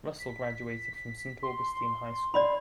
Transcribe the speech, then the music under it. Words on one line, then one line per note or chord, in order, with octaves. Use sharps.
Russell graduated from Saint Augustine High School.
B6
C6
D5 D#5 B5